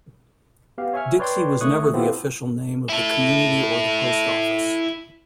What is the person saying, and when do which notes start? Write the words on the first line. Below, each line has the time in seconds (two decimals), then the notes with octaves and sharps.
Dixie was never the official name of the community or the post office.
0.78 B3 G4 F5
0.94 C#5 E5 G#5 C#6 F6
1.19 B4 C#5 D5 G5 C6
1.61 D#3 A3 C#5 C#6 D#6 F#6
1.93 B3 C4 E4 F4 G4 A4
2.89 E4 A4